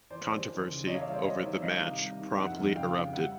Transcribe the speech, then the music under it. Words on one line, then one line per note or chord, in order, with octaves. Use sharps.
Controversy over the match promptly erupted.
E3 C5 D5
D#2
E3
C#3
E2 C#5 D#5
F5
D5 E5
G3
C5 D5
E2 C#5 D#5
D#3 D5 E5
G3 D#5 F5
C3
G3
D#3
F2 E5 F#5
F2
C#3 F5 G5
C#3
G3 E5 F#5